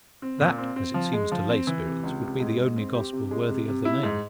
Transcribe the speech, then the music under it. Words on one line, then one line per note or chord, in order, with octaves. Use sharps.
That, as it seems to lay spirits, would be the only gospel worthy of the name.
C4
A#2
C4
C4
F3
G#3
F3
C4
E3
C3
C#2
C3
G#2
G#2
C4
G4
C3
G#3
C3
C3
E4
G#2